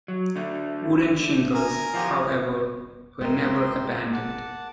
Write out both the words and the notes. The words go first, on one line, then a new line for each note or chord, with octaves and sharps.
Wooden shingles, however, were never abandoned.
F#3
D3 A3
A#4 G#5
F3 F4 G4
G#3 A#4 E5 G5 C6
F#5 A5 D6